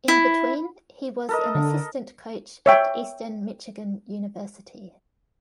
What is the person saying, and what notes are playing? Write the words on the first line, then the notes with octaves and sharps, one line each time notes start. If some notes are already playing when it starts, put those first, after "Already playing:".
In between, he was an assistant coach at Eastern Michigan University.
E4
A4 A#4 D#5
D3
C#5 E5 G5